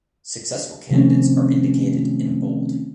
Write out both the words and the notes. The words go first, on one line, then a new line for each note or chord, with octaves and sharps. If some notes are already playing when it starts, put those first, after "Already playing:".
Successful candidates are indicated in bold.
C3 D#3 F3 A3 C4 C#4